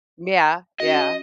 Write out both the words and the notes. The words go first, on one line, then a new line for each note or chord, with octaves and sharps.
Yeah, yeah.
C#4 F#4 D#5